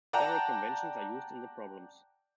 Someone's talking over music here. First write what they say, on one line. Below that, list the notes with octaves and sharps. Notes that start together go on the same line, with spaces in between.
Several conventions are used in the problems.
D5 F#5 G5 A5 A#5